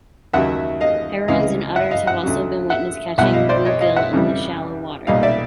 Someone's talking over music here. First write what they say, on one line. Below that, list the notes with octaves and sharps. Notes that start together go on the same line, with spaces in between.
Herons and otters have also been witnessed catching bluegill in shallow water.
D#2 C#3 F#3 E5 F#5
D#5 F5
C#2 C3 E3 G#3 D#5 F5
E5 F#5
D#5 F5
E5 F#5
D2 C#3 F#3
E5 F#5
B1 B2 G3 E5 F#5
D#5 F5
C5 D5
C#5 D#5
D#5 F5
E5 F#5
F2 C#3 E3 G3
B1 A#2 G3 D#5 F5
D5 E5